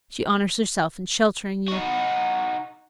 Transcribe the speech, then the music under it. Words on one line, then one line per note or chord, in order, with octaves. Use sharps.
She honors herself in sheltering you.
D#4 F#4